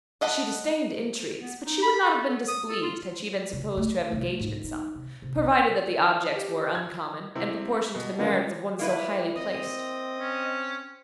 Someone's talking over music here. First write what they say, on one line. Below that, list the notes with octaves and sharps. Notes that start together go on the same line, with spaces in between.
She disdained intrigues; but she would not have been displeased had she been supposed to have engaged in some, provided that the objects were uncommon, and proportioned to the merits of one so highly placed.
D5 D#5 F#5 A5 B5
B3
D#4
B5
A4
B3
D#6
A4
F4
C#3
A3
C2
G#2
D#4
C3
C3
B1
G4
G#6
C3 C4 E4
B2
C#3 F3 G3 G#3 A#3 B3
A#3 E4 B4
C4 D#5 D#6
C#4